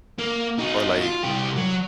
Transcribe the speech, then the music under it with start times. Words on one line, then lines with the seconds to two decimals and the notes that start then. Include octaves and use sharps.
or, like,
0.19 A#3
0.59 D#4 F#4
1.01 F4
1.24 C2 G4
1.57 F#3